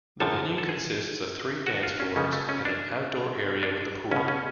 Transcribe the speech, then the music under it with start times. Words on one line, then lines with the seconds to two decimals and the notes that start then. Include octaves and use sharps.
The venue consists of three dance floors and an outdoor area with a pool.
0.20 G#1 F#2 D3 F3 A4
0.58 A4
0.69 G#4
1.67 F#4
1.83 F4
2.00 C#4
2.16 C#2 C#3 F3 C#4
2.33 A3
2.49 C#4
2.65 D4
3.63 D4
4.11 C#2 B2 C#4
4.28 C#4